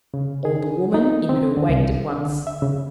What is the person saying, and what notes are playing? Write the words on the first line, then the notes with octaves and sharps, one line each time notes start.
All the woman in her waked at once.
C#3
G#4
D#4
C4
D3
C2
D3
E5
C#3